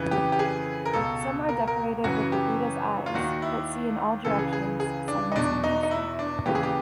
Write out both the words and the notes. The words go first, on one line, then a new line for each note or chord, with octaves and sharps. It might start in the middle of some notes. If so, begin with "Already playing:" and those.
Some are decorated with the Buddha's eyes that see in all directions simultaneously.
Already playing: F2 C#3 E3
G4
G4
G#4
A#4
C#2 B2 A4
A#4
A#4
F#2 C#3 E3 F#4
G4
F4
D#2 D#3 F#4
E4
C#2 C#3 E3 A4
G#4
G#4
G#4
D4
D#4
E2 B2 D4
D#4
D#4
E4
D4
D#2 C#3 E3 G4
G#4
G4